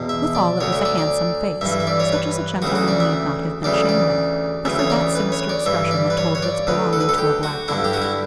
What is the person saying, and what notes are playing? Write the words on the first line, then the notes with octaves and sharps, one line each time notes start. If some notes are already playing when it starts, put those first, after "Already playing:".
Withal it was a handsome face: such as a gentleman need not have been ashamed of, but for that sinister expression that told of its belonging to a blackguard.
Already playing: E2 B2
E5
D5
D2 D3 C#5
E5
D5
D5
G2 E3 E5
E5
D5
C#5
B4
D2 C#3 E3 F#4
F#4
D5
E5
D2 C#3 E3 D5
D5
D2 C#3 E3 E5
C#5
D5
B4
C#5
D5
G2 E3 E5
D5
B4
C#5
C#5
D5
D2 D3 B4
A4
B4
A4
G4
F#4
G2 D3 E4
G4
F#4
E4